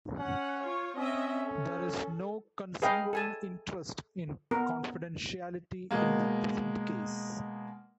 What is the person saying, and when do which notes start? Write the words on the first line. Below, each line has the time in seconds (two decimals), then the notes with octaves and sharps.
There is no conceivable interest in confidentiality in the present case.
0.19 C#4 F#5
0.62 F4 C#5
0.98 C4 C#4 D#5 E5
1.44 A4
2.82 G#4 B4 D#5 F5 G5
3.13 A4 G#5 A5
4.51 B3 A#4
5.91 B2 G#3 A#3